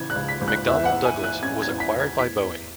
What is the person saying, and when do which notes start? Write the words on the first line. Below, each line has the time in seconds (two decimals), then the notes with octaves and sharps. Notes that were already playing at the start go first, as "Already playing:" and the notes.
McDonnell Douglas was acquired by Boeing.
Already playing: C#3 E3 G#6
0.10 F#6
0.16 C#2
0.29 B6
0.41 C#2
0.48 F#6
0.67 E2 E5
0.85 F#5
0.92 E2
1.05 G#5
1.18 E3
1.24 F#6
1.43 C#4 G#6
1.62 G#6
1.68 E2
1.80 B6
1.93 E2
2.00 G#6
2.19 E2 B6
2.44 E2